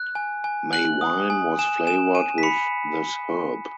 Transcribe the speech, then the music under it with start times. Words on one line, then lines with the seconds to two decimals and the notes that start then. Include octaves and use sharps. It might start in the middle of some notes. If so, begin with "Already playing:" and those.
May wine was flavored with this herb.
Already playing: F#6
0.15 G#5
0.44 G#5
0.73 F#6 F#7
1.01 D#6
1.30 G#5
1.59 G#5 E7
1.87 G#5 E7
2.15 G#5 D#7
2.38 B6
2.43 B5 C#7